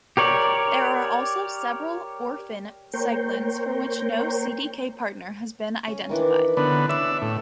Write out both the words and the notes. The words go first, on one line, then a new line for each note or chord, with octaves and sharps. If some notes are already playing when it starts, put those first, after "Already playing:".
There are also several "orphan" cyclins for which no Cdk partner has been identified.
G4 A#4 C#5 D5
A#3 A#4 C5 C#5 G5
C#4
D#3 E3 D4
B5
D3 B3 C#4
D4 C#5 E5
A2